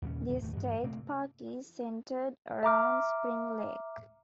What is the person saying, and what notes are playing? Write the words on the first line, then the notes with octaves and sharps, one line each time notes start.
The state park is centered around Spring Lake.
D#2 A#2 C#3 C#4
D#2 A2 C3 B3
D1 D#2 A3
D2 G2 E3 G#3
C3 A3 A#3 C4
E5 A#5 D6 F6